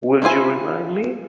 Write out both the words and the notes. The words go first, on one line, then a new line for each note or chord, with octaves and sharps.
Will you remind me?
A3 C4 E4 F4 G#5